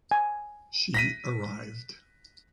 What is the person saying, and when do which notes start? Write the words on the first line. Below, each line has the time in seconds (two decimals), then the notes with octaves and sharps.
She arrived.
0.11 G#5
0.94 A#6 B6 D#7